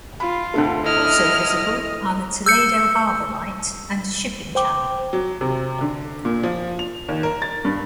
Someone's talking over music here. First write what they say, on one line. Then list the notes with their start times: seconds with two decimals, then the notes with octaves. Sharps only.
Also visible, are the Toledo Harbor Light and shipping channel.
0.20 F4 B5
0.54 D2 D3 A3
0.84 E4 D#5 F6
2.46 E6 G6 C#7
4.55 C5 G5 D6
5.13 F#3
5.41 C3
5.81 D3
6.25 A#2
6.43 F3
6.79 F7
7.08 D#2
7.23 A#4
7.42 A6
7.65 G2